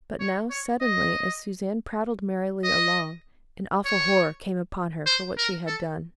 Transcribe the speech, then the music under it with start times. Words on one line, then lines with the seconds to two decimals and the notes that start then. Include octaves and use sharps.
But now, suddenly, as Suzanne prattled merrily along, an awful horror came upon her for what she had done.
0.20 C#5
0.50 C#5
0.81 D#5
2.64 D#5
3.85 C#5
5.06 C5
5.38 A#4
5.67 A4